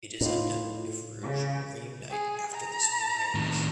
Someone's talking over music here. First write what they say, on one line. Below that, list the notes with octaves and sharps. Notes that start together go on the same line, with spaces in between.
It is unknown if Rouge will reunite after this new hiatus.
A2 D#4 F4
C#3
G#4
A#5
A2 D#3